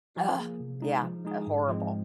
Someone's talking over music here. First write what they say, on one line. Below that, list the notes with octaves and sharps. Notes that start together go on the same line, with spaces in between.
ugh, yeah, uh horrible.
F3
A#3 G#4
C3
G#3 D#4 G#4
F3
G#3 D#4 G#4
G#2
F3 G#3 C4